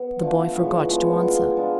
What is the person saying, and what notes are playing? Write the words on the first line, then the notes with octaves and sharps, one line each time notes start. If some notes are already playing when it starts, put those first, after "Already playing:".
The boy forgot to answer.
Already playing: B3
D3 F3 A3
A2 F3 G#3 B3
A2 F3 G#3 B3
G#3 D4 F4
G#3 D4 F4